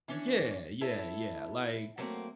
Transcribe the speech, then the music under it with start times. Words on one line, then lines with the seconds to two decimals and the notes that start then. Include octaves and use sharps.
Yeah, yeah, yeah. Like,
0.08 E3 C#4 D4 C#5
0.81 E4 A4 C#5 E5 A5
1.98 F#3 A3 A#3 C4